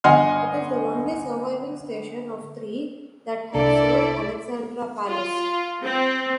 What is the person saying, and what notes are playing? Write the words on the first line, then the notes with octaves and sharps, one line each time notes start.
It is the only surviving station of three that have served Alexandra Palace.
G1 D#5 F#5 G#5 C6 F6
C2 D4 E4 A4 D5
F4
C4